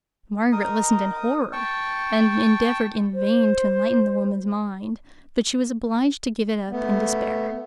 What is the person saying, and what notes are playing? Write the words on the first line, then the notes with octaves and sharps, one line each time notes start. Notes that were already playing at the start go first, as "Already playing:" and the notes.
Margaret listened in horror; and endeavoured in vain to enlighten the woman's mind; but she was obliged to give it up in despair.
D#4 A#4 D#6
G5 A5 C#6
C5
A3 B3